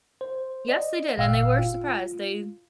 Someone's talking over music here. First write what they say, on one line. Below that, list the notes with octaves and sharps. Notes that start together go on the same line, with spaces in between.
Yes, they did and they were surprised. They
C5
D5 D#5
G1 A#2 F5 G5 E6
F4